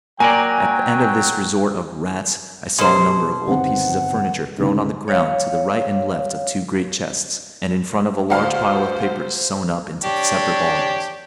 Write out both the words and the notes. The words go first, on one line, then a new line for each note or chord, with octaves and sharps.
At the end of this resort of rats, I saw a number of old pieces of furniture thrown on the ground to the right and left of two great chests, and in front of a large pile of papers sewn up into separate volumes.
F#3 A#3 A#4 D5 G5 G#5
B2 G4 C5
G1 D#3 C4 F#5
D2 C#3 D#4
C#5 F5
D2 C5 F5 F6
D4 G4 C#5